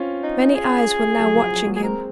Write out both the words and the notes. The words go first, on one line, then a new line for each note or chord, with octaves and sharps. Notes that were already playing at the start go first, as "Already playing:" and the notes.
Many eyes were now watching him.
Already playing: C4 C#4 F4
D#4
G#4
F#3
F3
F#3
F#3 A#3
G#4
G#3 C4 A#4